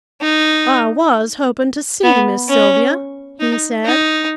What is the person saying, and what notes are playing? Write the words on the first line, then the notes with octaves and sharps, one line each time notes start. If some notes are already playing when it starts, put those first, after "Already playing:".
"I was hoping to see Miss Sylvia," he said.
D#4
B3
C#4
D#4
D#4